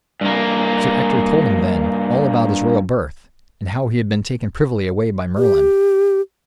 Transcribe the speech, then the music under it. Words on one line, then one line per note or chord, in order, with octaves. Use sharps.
Sir Ector told him, then, all about his royal birth, and how he had been taken privily away by Merlin.
G2 A#3
G4